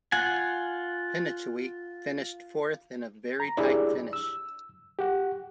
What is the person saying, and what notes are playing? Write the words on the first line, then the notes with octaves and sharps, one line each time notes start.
Penicuik finished fourth in a very tight finish.
F4 F#5 G#5
A#5
D4 E4 G4 G#4 D5
E6
G4 F#5